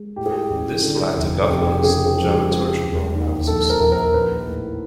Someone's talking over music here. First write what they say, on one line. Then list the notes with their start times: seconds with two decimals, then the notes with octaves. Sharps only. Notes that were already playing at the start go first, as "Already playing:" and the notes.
This led to Goffman's dramaturgical analysis.
Already playing: G#3
0.16 A2 G4
0.26 G#4
0.35 G4
0.50 A1
0.83 D3
1.16 F1
1.49 F2 G4
1.61 G#4
1.72 G4
1.82 C#3 G#4
1.95 G4
2.06 G#4
2.15 F3 G4
2.29 G#4
2.40 G4
2.49 G#3 G#4
2.62 G4
2.81 E1
3.15 D#2
3.47 A#1 A4
3.70 A#4
3.80 A#1
3.92 A#4
4.14 A#1 B4
4.47 A2